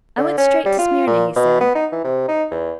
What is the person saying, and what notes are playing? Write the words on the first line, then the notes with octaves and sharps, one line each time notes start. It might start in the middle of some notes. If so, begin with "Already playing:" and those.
'I went straight to Smyrna,' he said.
D3
C#4
G3
F4
A#2
B2
B3
D#4
E3
C3
D#4
E2